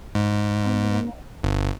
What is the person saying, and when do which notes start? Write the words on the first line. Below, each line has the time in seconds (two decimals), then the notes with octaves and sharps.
Oh my goodness.
0.15 G#2
1.43 G1